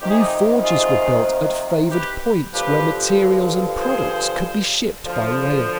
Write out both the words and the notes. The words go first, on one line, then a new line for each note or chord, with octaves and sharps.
New forges were built at favored points where materials and products could be shipped by rail.
F2 C3 D#3 G4
G#4
D#4 G4
F4 G#4
G4 B4
G2 D3 F3 G4 B4
G#4 C5
D2 D3 F3